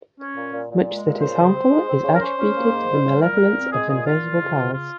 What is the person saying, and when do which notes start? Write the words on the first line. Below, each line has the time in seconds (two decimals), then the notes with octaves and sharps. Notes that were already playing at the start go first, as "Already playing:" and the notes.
Much that is harmful is attributed to the malevolence of invisible powers.
0.20 C#4
0.36 A#2
0.53 A#2
0.70 A#2
0.86 G#3
1.03 A#2
1.21 C#3 C5
1.37 C#3
1.54 C4
1.71 G#3
1.88 C4
2.04 C#3
2.15 A#4
2.21 C#4 C5
2.39 C#4
2.55 A#3
2.73 G#2
2.89 G3
3.05 G3
3.22 A#2 A#4
3.40 A#2
3.56 C4
3.73 G#3 G#4
3.89 A#2 G#4
4.06 A#2 F4
4.23 C#3
4.40 F2
4.57 C#3
4.74 F4